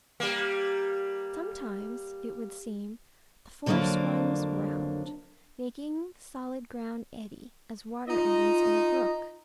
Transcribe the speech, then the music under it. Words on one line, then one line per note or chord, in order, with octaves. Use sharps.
Sometimes, it would seem, the force runs round, making the solid ground eddy, as water eddies in a brook.
G3 A#3
F2 D3 F#3 A3 A#3 D4
D#4 F4 D#5